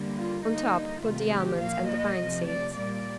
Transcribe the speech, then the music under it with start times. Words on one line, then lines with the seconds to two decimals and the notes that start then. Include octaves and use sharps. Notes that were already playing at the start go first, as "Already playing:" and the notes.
On top put the almonds and the pine-seeds.
Already playing: D3 G3 A#3
0.17 F4
0.45 D3 G3 A#3 D#4
1.02 C3 D#3 A3 F4
1.31 G4
1.60 A#2 F3 A#3 F5
1.89 D#5
2.17 C3 F3 A3
2.46 D5
2.74 A#2 G3 A#3 D5